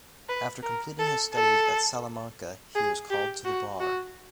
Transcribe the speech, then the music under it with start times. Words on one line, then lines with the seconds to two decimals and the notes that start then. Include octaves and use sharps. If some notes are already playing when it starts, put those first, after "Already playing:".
After completing his studies at Salamanca he was called to the bar.
0.29 B4
0.63 A#4
0.99 A4
1.34 A4
2.75 G#4
3.10 G4
3.45 F#4
3.80 F#4